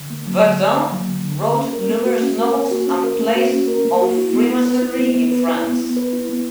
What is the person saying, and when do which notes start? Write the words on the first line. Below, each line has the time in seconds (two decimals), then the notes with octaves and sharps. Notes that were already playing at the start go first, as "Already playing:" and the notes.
Verdun wrote numerous novels and plays on Freemasonry in France.
Already playing: D3
0.10 A#3
0.26 F#3
0.43 D3
0.59 D3
0.75 A#3
0.92 F#3
1.08 D3
1.24 D3
1.40 A#3
1.56 C#4
1.73 A#4
1.89 A#3
2.05 F#4
2.22 C#4
2.39 A#4
2.54 A#3
2.71 F#4
2.87 C#4
3.04 A#4
3.19 A#3
3.35 F#4
3.52 C#4
3.68 A#4
3.85 A#3
4.02 F#4
4.18 E4
4.33 B3
4.50 B3
4.66 B4
4.82 E4
4.99 B3
5.15 B3
5.32 B4
5.48 E4
5.64 B3
5.81 B3
5.97 B4
6.13 E4
6.29 B3